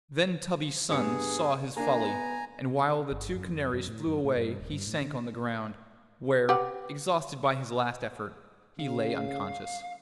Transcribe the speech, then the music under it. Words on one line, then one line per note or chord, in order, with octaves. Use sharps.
Then Tubby's son saw his folly, and while the two canaries flew away he sank on the ground, where, exhausted by his last effort, he lay unconscious.
G2 B3 G#4 C#7
A#3 D4 G#5 A#5
B3
G1
F#2
F2
F#2
A2
F#2
A2
G2
D#1
G2
A2
D3
G4 B4 F#5
C#3 F5